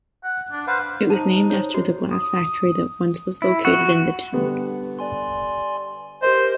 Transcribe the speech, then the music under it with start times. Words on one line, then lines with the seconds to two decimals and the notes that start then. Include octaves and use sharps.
It was named after the glass factory that once was located in the town.
0.24 F#5
0.52 D4
0.67 B4 C5 F5 F#5
1.10 D#4 C5 A5
1.50 C5 C#5
1.74 F#4
2.11 D#6
3.42 E4
3.65 F#4
4.33 D3 G3 B3
4.99 D5 G#5 C6
6.22 G4 A#4 C5 D#5